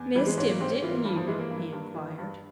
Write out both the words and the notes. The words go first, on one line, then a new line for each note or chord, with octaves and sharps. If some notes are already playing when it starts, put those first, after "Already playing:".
"Missed him--didn't you?" he inquired.
Already playing: E2
E3 G3
G#3
G#2 C#4
A#3
G#2 C4
C#4
E3 F4
A#3
G2 G3
F3
E3 G#3
A#3
G2
G2
E3
G2